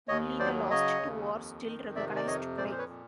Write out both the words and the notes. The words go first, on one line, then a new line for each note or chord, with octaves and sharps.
Only the last two are still recognized today.
D#2 C#5 D#5
F#3 C5 D5
C#3 C#5 D#5
D#2
F2
D#3
C3 D5 E5
D5
F2 C#5 D#5
A#2 C5 D5
C5
B4 C#5
A#2